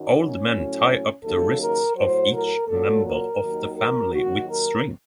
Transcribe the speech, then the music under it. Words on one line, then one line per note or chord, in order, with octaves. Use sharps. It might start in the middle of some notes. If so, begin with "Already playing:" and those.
Old men tie up the wrists of each member of the family with string.
Already playing: F#2 D#3 F#3
C#4
A2 F#3
D#2 C#3 F#3 A4
A#4
A2 F#3 C5
A#4
A#2 F#3 A4
A#4
D#2 D#3 F#3
A#4
D#2 D#3 F#3 F#4
A#4